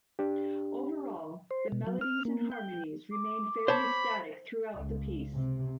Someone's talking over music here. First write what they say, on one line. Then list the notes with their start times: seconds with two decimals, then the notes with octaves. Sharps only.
Overall, the melodies and harmonies remain fairly static throughout the piece.
0.19 D4 G4
1.51 C5
1.72 B2
1.87 F#3
2.01 F6
2.25 A#3
2.52 G5
3.12 D6
3.68 C5 C#5 A5 B5
4.75 C#2
5.33 C3